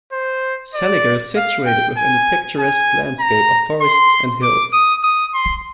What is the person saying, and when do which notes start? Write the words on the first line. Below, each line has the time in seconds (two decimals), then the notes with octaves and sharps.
Seliger is situated within a picturesque landscape of forests and hills.
0.13 C5
0.75 D5
1.36 F5
1.66 G5
1.97 G#5
2.59 G#5
3.20 A#5
3.81 C6
4.43 D6
4.73 D#6
5.04 D#6
5.34 C6